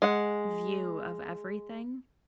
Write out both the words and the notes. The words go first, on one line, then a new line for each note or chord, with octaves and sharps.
view of everything,
G#3 F#5